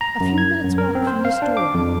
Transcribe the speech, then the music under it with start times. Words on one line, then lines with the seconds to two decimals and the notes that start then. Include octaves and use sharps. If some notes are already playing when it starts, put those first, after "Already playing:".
"A few minutes' walk from this door."
0.01 A#5
0.20 F#2
0.38 G#6
0.64 F#2
0.78 A#4
0.95 C4
1.07 C5
1.25 F5
1.42 D4
1.57 D6
1.74 F2